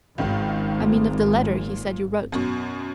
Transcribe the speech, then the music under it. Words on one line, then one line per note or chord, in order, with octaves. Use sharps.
"I mean of the letter he said you wrote."
G#1 C#2 D#3
A#2
F#2 B2